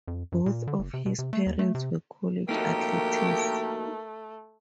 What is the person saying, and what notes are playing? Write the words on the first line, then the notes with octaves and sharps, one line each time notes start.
Both of his parents were college athletes.
F2
F#2
A#2
D3
F#1
C3
B2
C3
A3
D#2
A3
C3
A3 A#3 D#4 F#4 G4 A#4